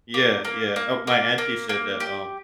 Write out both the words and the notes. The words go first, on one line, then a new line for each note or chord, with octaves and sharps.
Yeah, yeah, uh, my auntie said that, um
A#3
A#3
A#3
A#3
A#3
A#3
G4